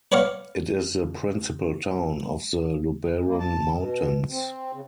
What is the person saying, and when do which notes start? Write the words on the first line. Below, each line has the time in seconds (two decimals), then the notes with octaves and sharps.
It is the principal town of the Luberon mountains.
0.12 B4 C#5 D5 F5 F#5
3.24 A#3
3.39 A5
3.77 B2
4.31 C4
4.73 C#3